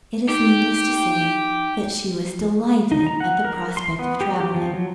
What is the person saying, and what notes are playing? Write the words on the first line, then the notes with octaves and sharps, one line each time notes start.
It is needless to say that she was delighted at the prospect of traveling.
D#4 G4
D#4
A#5
F#5
A#4
C6
B3
G4
G4
F3
F#3